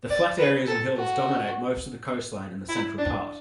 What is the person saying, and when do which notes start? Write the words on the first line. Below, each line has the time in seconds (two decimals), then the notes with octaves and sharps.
The flat areas and hills dominate most of the coastline and the central part.
0.10 D5
0.39 B4
0.67 A4
0.97 F#4
2.69 E4
2.98 D4